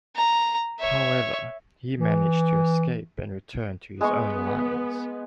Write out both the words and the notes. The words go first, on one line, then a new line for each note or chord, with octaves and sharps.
However he managed to escape and return to his own lines.
A#5
C#5 E5
E3
G#3 B3 D#5 C#6